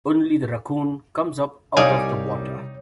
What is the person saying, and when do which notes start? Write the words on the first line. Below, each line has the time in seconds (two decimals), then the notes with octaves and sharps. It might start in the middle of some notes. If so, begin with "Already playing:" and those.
Only the raccoon comes up out of the water.
1.77 C2 G3 D#4 C#5 D5 F5 G#5 D#6